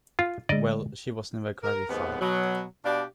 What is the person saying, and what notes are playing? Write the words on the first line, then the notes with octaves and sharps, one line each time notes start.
Well, she was never gratified.
F4
D3 G#3 D5 D#5
A#4
D#2 G#2 F3 B3
B2 F#3
B2 D4 G4 D5 F5